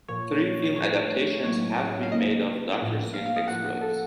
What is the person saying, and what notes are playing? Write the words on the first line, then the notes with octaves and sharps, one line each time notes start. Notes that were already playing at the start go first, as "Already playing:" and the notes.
Three film adaptations have been made of Doctor Syn's exploits.
A#2 F3 A#3 C#5
A2 F3 A3 C#5
A2 F#3 A#3 C#5
F5
C#3 F#3 A#3 D#5
A2 F3 A#3
F5
F5
D#5
A2 F3 A#3 F#5
A4